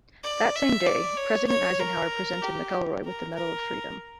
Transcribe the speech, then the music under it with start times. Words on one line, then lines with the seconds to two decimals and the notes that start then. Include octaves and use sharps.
That same day, President Eisenhower presented McElroy with the Medal of Freedom.
0.24 D5
0.56 E5
0.86 D5
1.17 C#5
1.48 C#5
1.79 A#4
2.43 G4
3.04 A#4
3.35 A#4